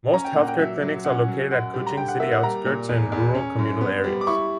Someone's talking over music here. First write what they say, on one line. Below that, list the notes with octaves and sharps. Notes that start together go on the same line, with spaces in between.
Most healthcare clinics are located at Kuching city outskirts and rural communal areas.
C#4 A#5
G5
A#2 F#5
G5
F#3 E5
F#3
C#4 F#5
F#3
F#2 F#5
G3
A#5
D3 G5
F#5
A#3 E5
F#5
G3 A#5
A#2
E2
E2
C#4
F#2
B3
G3
D6
E4 C#6